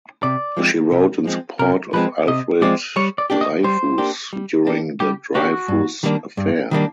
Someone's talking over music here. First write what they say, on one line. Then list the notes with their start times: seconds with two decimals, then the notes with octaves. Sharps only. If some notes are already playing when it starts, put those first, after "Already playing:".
She wrote in support of Alfred Dreyfus during the Dreyfus affair.
0.23 C3 D5
0.57 F3 G#3 C4
0.92 C3
1.25 F3 G#3 C4
1.59 C3 A#4
1.93 F3 G#3 C4 B4
2.28 C3 D#5
2.61 F3 G#3 C4 D5
2.96 G3 C#5
3.18 D5
3.30 A#3 D4 G4
3.41 D#5
3.64 G3 C5
3.98 A#3 D4 G4
4.33 G3
4.67 A#3 D4 G4
5.00 G3 G4
5.35 A#3 D4 F#4 G4
5.68 G2
6.03 D#3 G3 A#3 D4
6.37 G2
6.71 D#3 G3 A#3 D4